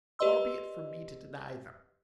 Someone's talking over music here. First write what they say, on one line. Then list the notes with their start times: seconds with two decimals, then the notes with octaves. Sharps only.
Far be it from me to deny them.
0.19 G4 B4 D5 D#5 C6 E6